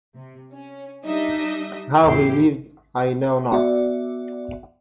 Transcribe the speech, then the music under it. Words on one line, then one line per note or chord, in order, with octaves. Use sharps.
How he lived I know not.
C3
C#4
G3 D4 D#4 G4 D#5 E5
E2 A2 E4 G4 G5 C7
B3 F#4 D5 E5